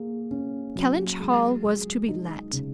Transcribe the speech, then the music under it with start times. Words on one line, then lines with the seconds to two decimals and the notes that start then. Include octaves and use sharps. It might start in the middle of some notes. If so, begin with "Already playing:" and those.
Kellynch Hall was to be let.
Already playing: A#3 G#4
0.31 C#4
0.76 F#3
1.20 G#3
1.64 G#4
2.08 D#4
2.53 C#3